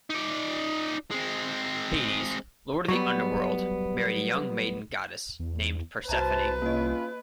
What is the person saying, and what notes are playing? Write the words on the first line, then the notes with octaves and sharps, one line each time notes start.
Hades, lord of the underworld married a young maiden goddess named Persephone.
D#4 D5
G#3 C4
F#3 G3 B3
E2
C2 F#4 B4 C5 E5 A5 A#5
A#3 C#4 F4 D#5